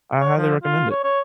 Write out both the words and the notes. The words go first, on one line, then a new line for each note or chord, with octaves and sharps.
I highly recommend it.
C#5
F3
F4
C#5
C#5